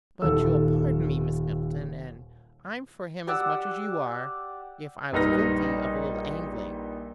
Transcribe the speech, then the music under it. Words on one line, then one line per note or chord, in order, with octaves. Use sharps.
"But you'll pardon me, Miss Middleton--and I'm for him as much as you are--if I was guilty of a little angling."
D#1 D#2 A4 E6
G4 D5 F#5 E6
A#1 G3 D#4 B4 F6 A#6